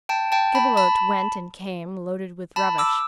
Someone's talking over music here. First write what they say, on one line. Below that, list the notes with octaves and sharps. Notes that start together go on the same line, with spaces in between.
Gibelotte went and came loaded with rubbish.
G5 A5
G5 A5
A5 B5
A5 B5
A5 B5
D6 E6